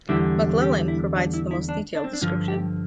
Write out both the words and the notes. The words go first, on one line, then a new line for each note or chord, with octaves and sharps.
McClellan provides the most detailed description.
E2 D3 G3 E4
G4
E4
D4
E4
E4
D4
D4
C4
D4
G2 D3 F3 F4
G4